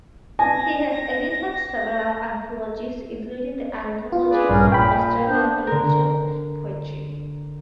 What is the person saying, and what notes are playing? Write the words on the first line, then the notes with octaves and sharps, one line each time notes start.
He has edited several anthologies, including the "Anthology of Australian Religious Poetry".
G#5 A#6
F4
G#4 B4 D5
A#1 G2 C#4 G#4 A#4
A#2 G5 B5
B3 D4 C5
D3 A#4